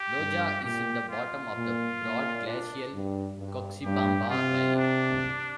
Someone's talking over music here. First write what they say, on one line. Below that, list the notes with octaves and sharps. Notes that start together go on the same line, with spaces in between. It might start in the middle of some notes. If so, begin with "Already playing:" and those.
Loja is in the bottom of the broad glacial Cuxibamba valley.
Already playing: G4
G2
A#2 G4
F4
A#2
A#2
D4
G2
G2
G2 G4
C3 F4
D4